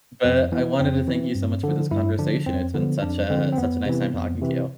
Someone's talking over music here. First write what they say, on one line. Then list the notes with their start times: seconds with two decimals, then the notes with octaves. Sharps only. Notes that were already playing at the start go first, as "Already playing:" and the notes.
But I wanted to thank you so much for this conversation. It's been such a such a nice time talking to you.
0.24 F2 C4
0.52 E3 B3
0.80 F2 C4
1.08 E3
1.35 G2
1.63 D3 F3
1.91 G2 E4
2.19 D3 F3 D4
2.46 F2 C4
2.74 D3 F3 B3
3.02 F2 D4
3.30 D3 F3 C4
3.52 C4
3.58 F2 B3
3.86 C3 E3
4.14 F2
4.41 C3 E3